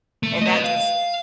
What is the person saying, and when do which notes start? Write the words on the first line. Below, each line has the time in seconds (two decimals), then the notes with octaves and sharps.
And that just
0.23 A3
0.42 B4 D#5
0.64 F5